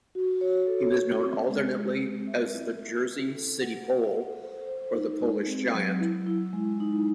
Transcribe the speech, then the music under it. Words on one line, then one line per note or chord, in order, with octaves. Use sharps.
He was known alternately as the Jersey City Pole or the Polish Giant.
F#4
C#5
A4
C#4
C4
G#3
G#3
C4
E5
E4
E4
C#4
A4
F#5
F#5
A4
C5
C5
D#4
G#3
C4
F#3
E4
E4
G#3
D#4